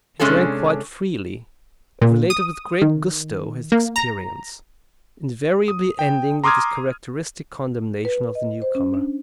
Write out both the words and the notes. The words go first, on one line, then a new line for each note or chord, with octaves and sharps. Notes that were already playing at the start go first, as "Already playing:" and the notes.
He drank quite freely, and related with great gusto his experience, invariably ending with his characteristic condemnation of the newcomer.
C3 G#3 C#4 D4 G#4 A4
A#2
D#6
D#3
A#3
A#5
D#6
G5
A#5 C6 D6 D#6 F6 G#6
B4
D#5
C5
C#4
D4